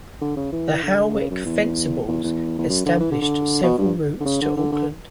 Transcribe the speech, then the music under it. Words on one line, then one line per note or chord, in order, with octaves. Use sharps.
The Howick Fencibles established several routes to Auckland.
D3
C#3
E3
D3
C#3
F#2
E2
E2
E2
E2
F#2
D3
E3
D3
D3
B2
G2
D3
C#3
D3
D3
D3